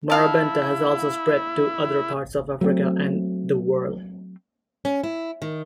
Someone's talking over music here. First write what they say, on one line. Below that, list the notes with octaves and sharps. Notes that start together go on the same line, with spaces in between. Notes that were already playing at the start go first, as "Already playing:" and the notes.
Marrabenta has also spread to other parts of Africa and the world.
E4 F5 A5
F#3 A3 B3 C4
C#4
E4
D#3